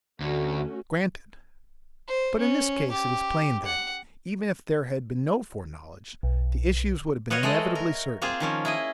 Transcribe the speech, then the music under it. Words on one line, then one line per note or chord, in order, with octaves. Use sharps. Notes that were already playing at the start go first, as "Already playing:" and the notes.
Granted; but in this case it is plain that, even if there had been no foreknowledge, the issues would have been inevitably certain.
D2 A3 C#4 F#4
C5
C#4
G4
F#5
B1
B3 F#4 C#5 D#5 F5
G#3 A3 A4 D#5
A#4
A#3 C4 F4 G#4 C5
D#3 F3 C#4
E4 G#4 D#5